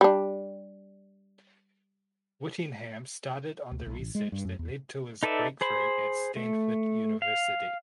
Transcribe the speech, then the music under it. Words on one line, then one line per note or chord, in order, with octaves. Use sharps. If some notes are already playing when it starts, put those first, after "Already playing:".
Whittingham started on the research that led to his breakthrough at Stanford University.
G3 D4
D2
B1
A1
G#3
G2
F#2
E2
D#4 A4 B4 D5 E5
G#4 C5 B5
A3
F5